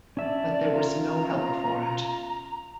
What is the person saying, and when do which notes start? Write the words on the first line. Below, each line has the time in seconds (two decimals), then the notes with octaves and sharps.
But there was no help for it.
0.17 C#4 D4 D5 E5
0.73 F4 A#5